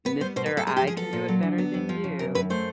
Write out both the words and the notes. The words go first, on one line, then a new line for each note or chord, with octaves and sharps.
Mister, "I can do it better than you."
B3 B4
G3 C5
B2 C5
B4
B2
A4
G#3 G#4
G4
F3
G#4
B3 A4
A#2
F#3
D3
B3
F2
F3
C#3
F#2 A#4
F#2 B4
A3 C5